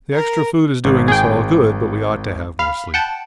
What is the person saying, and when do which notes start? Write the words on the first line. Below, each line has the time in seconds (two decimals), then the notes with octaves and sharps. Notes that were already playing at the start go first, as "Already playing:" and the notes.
The extra food is doing us all good, but we ought to have more sleep.
0.13 A#4
0.84 G#1
1.08 G#4 G5
2.59 F5 B5
2.94 F#5 G5 A5